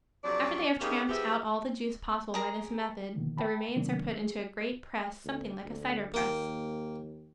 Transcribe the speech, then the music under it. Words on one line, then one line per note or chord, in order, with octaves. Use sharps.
After they have tramped out all the juice possible by this method the remains are put into a great press something like a cider press.
F2 C3 F#3 D4 D5
C3 G3 A#3 C#4 D#4 G#4
F3 G#3 B3 G4 C5 E5
G#4 A#4 A#5
B2 D3 D#3 F3 A#3
E5 G5 A5 B5
C3 D#3 F#3 A#3 D4
A3 G#4
D2
D2
D#2 A#3 G5